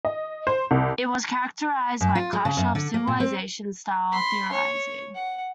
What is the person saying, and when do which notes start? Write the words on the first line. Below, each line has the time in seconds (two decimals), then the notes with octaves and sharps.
It was characterized by clash of civilizations-style theorizing.
0.05 D#5
0.47 C5
0.71 C2
2.01 F#2
2.15 F4
2.33 G#3
2.45 C#3
2.57 F#2
2.75 D3
2.94 A#3
3.07 A#2
3.20 C4
4.12 B5 C6
4.52 C#5
5.15 F#5